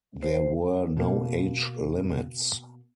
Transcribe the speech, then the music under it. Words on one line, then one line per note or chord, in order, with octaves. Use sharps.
There were no age limits.
C5
B2 A#3